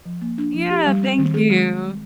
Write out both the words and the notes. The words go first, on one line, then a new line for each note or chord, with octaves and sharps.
Yeah. Thank you.
F3
A#3
D4
F3
G4
G3
C4
D#3
G#4
G#3